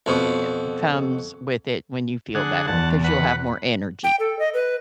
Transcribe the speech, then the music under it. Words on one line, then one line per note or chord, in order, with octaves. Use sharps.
ye yeah comes with it when you feel better, 'cause you'll have more energy
F2 B2
D3 G#4 F#5
E2 F#5 A5
B4 F#5
G5
A4
D#5
B4